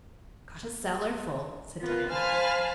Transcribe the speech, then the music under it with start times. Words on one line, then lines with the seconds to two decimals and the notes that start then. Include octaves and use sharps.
"Got a cellar-full," said Diva.
1.79 B3 F4 A#4 B4
2.08 C5 F5 G#5 A5 B5 F6